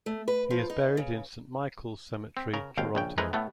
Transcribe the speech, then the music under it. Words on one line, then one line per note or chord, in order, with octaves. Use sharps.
He is buried in Saint Michael's Cemetery, Toronto.
A3
B4
F3
D#4
C#3
C4
C#3 A#4
G#1 D#2 F5 G5
A#1 C#3 G5
E3 G#3 D#4 A#4 B4
A2 A3 B3